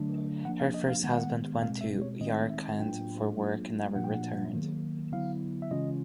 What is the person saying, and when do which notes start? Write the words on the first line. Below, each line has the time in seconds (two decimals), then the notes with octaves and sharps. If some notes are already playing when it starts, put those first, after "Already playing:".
Her first husband went to Yarkand for work and never returned.
Already playing: D3 F#3 A3 D4
0.45 F3 A#3 D4 F#5
0.60 F5
0.74 D#5
0.89 F5
1.03 D#3 G#3 B3 F#5
1.11 F5
1.17 F#5
1.62 B2 G#3 C4 F5
1.81 E5
2.01 C#5
2.21 D#3 G#3 C4 D#4 D#5
2.50 E5
2.78 A2 F#3 A#3 D4 F4 G5
3.37 F#3 A#3 D4 F4
3.95 A#2 F3 A#3 D4 F4 F#5
4.04 G5
4.14 F#5
4.54 D#3 F#3 A#3
5.12 D3 F#3 B3 E4 F5
5.62 E5
5.71 C#3 E3 G#3 C#4 F4 D#5